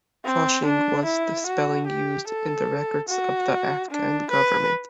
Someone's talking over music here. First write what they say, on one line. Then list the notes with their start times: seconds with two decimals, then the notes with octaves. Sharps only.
Fushing was the spelling used in the records of the Afghan government.
0.24 C4
0.65 D4
1.06 E4
1.47 F#4
1.87 G4
2.27 A4
3.09 F#4
3.91 D4
4.31 B4